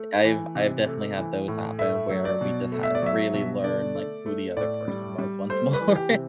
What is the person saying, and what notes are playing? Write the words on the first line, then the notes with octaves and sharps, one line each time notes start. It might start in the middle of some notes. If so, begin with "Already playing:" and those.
I've I've definitely had those happen, where we just had to really learn, like, who the other person was once more.
Already playing: A3
E3
C3
A3
E3
A2
A3 E5
F#3
D5
B2
A3
E5
D5
F#3 E5
B2
D3 D5
A3
A3
A2 D5
G3
G3
A3 C5
B4
E3
G4
C3